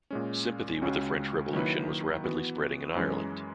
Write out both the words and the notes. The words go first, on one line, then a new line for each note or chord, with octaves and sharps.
Sympathy with the French Revolution was rapidly spreading in Ireland.
A#2 G#3 C#4
C#2 C#3 G#3 C#4 F#4
D#3 F#3 A#3 E4 B4
E3 B3 F#4
F#2 E3 G#3 C#4